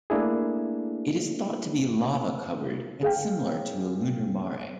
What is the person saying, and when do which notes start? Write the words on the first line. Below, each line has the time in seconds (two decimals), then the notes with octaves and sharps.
It is thought to be lava-covered and similar to a lunar mare.
0.10 A3 A#3 D4 E4 G#4
3.03 G#4 F5 G5